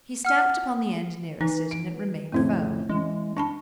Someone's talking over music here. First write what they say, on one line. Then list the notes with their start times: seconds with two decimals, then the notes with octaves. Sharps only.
He stamped upon the end nearest and it remained firm.
0.25 F#5 F6
1.41 E3 D#4
1.71 D7
2.32 F2 A2 C#3 C4 E4 C5
2.89 E3 G#3 C#4
3.37 D4 A5 B5 C#6